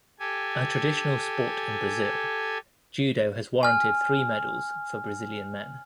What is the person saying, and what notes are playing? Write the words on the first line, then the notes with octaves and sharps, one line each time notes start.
A traditional sport in Brazil, Judo has warranted three medals, for Brazilian men.
G4 A4 G#5
G#5 F6